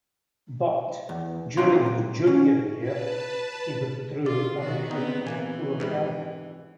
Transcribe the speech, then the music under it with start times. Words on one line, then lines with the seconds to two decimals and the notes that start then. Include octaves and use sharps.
But, during his junior year, he withdrew on account of poor health.
1.09 E2
1.57 F#2 C3 F#3 D4 F5 C6
1.86 C2
2.27 C#4
2.78 B4 A5
4.26 F4 D5
4.58 D#3 F#4
4.91 B3 C4 D#4
5.27 C3 E3 A#3 G#5
5.80 G#2 C3 G3